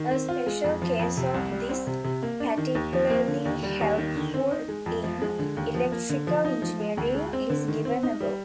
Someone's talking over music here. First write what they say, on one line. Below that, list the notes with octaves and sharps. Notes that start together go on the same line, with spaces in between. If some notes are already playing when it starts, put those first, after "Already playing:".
A special case of this, particularly helpful in electrical engineering, is given above.
Already playing: D#3
C4
F4
G#3
F2
F3
F2
C3
C2
G3
C4
C3
C3
A#3
D4
D#3
D#2
F3
A#3
D3
D#2
G3
D#2
D#3
D3
C4
D#4
G#3
F2
F3
G#3
D3
D#2
F3
A#3
D3
F3
D#4
F3
G#3
D2
G#3
C4
D3
D#3
C4
D#4
G3